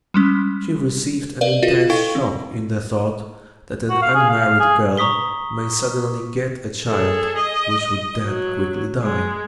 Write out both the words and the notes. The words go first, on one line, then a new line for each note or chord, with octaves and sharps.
She received an intense shock in the thought that an unmarried girl may suddenly get a child which would then quickly die.
G3 G#3 C#4
A#4 B4 D5 D#5 F5
F4 F#4 G#4 D#5 F5
E4 A4 F5 G5 C#6
C4
F#4
F5
G#4
F5
F5
G#4
A#5 C#6 D#6 B6 G7
G#4 A4
D#5
F#3
G#3